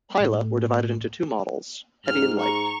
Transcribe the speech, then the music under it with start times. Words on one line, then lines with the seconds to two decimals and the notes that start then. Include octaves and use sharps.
Pila were divided into two models: heavy and light.
0.20 A2
2.06 G#2 F6
2.40 A#5 C#6